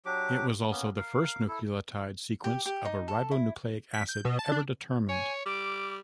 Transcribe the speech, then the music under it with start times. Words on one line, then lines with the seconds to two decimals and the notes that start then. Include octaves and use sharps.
It was also the first nucleotide sequence of a ribonucleic acid ever determined.
0.06 F#3 D4 G4 D6
0.71 A#3 B3 C#4
0.96 A#4 F5
1.48 E4 A4
2.44 G4
2.66 G4
2.85 D#4
3.08 A4
3.31 E4
3.94 B6
4.09 G6
4.25 B2
4.39 A5
4.52 D4
5.09 C#5 G#5
5.46 G3 D6